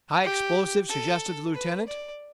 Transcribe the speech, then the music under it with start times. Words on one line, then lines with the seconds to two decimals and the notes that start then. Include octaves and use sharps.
"High explosive?" suggested the lieutenant.
0.24 G4
0.89 A4
1.54 B4
1.87 D5